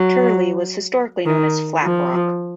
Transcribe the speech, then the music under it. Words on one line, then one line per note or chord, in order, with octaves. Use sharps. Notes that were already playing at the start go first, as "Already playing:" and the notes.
Turley was historically known as Flat Rock.
Already playing: F#3
D#3
F3